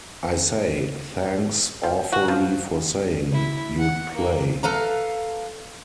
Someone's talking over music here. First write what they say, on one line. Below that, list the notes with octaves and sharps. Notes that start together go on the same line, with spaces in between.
I say, thanks awfully for saying you'd play.
F3
F#4
F3
E4
F#5
A#3
A4 B4 F5 A#5